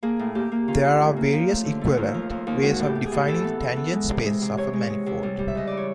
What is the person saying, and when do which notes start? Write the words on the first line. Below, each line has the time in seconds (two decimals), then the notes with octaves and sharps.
There are various equivalent ways of defining the tangent spaces of a manifold.
0.03 A#3 G#4
0.19 A2
0.35 A#3 G4
0.52 A#3
0.68 C#4 F4
0.84 C#4
1.00 A2
1.16 A#3
1.33 F3
1.49 A3
1.65 D3
1.81 A3
1.97 D#2 F4
2.14 F3
2.30 D#2
2.47 D#2
2.62 G#3 F#4
2.79 A2
2.84 G4
2.95 B3
3.06 G#4
3.12 A2
3.28 E3 A4
3.44 B3
3.60 E3
3.76 B3
3.92 G#3
4.09 C3
4.25 G#3
4.42 C3
4.57 C3 C#5
4.73 G#3
4.90 G#3
5.06 C3
5.23 G3
5.39 G3
5.48 E5
5.55 C#3 D#5
5.67 E3 D5
5.77 C#5